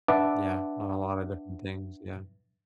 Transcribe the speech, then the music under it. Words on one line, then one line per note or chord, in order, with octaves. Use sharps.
Yeah, on a lotta different things, yeah.
D4 B4 E5 F#5 A5 D6